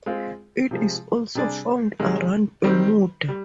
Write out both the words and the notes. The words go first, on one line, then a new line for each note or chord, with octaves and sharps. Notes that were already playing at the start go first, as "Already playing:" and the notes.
It is also found around Bermuda.
G#3 C4 F4
C3 F3 G#3
C3 G3 D4 G#4 D5
C3 D#3 G#3
D#3 G3 C4
G3